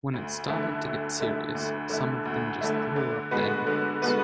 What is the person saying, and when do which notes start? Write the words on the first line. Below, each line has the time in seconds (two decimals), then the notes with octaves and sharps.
When it started to get serious, some of them just threw up their hands.
0.14 D2
0.49 D3 A3 E4
0.84 D2
1.20 D3 A3 E4
1.55 D2
1.90 D3 A3 E4
2.26 D2
2.61 D3 A3 E4
2.96 D3
3.31 G#3 B3 F#4 B4
3.67 D3
4.02 G#3 B3 F#4 B4